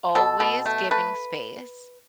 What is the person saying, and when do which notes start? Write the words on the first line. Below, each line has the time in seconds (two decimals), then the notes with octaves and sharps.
always giving space.
0.15 B2 A4
0.40 B2
0.66 A3
0.91 A3 B4